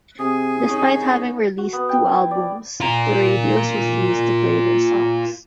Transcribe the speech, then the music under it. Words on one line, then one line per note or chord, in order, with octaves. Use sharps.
Despite having released two albums the radios refused to play their songs.
C3 G#4 D#6
C2 C#4 D#4
F#4
B3
G5
E4
D5
F4 A#4